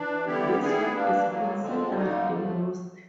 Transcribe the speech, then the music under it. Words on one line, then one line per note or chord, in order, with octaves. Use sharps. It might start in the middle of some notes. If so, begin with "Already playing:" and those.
This work is considered lost.
Already playing: E3 D4
D3 G3 B3 E4 G4
D#3 G3 B3 E4 G#4
E3 G3 A#3 D4
A2 F#3 A#3
F2 D3 F3 G#3 C4
F#2 D3 G3 A#3 D#4
A2 F3 A3